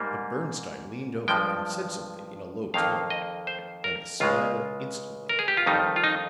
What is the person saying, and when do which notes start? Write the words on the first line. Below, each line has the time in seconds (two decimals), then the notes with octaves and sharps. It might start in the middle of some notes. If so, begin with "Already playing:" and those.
But Bernstine leaned over and said something in a low tone; and the smile instantly departed.
Already playing: G#2 G3 A#3
1.28 G2 F3 G#3 G5
2.74 F2 D#3 A#3 F5
3.10 D#5
3.47 C5
3.84 A#4
4.20 C#2 C#3 G#3 F4
5.29 A#4
5.39 G#4
5.48 G4
5.57 F4
5.66 F2 D#3 G3 D#4
5.96 F4
6.04 D#4